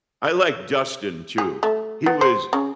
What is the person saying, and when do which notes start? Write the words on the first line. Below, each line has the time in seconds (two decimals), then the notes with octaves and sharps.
I like Dustin too. He was
1.38 G#4
1.63 A3
2.06 B3
2.21 C5
2.53 C#3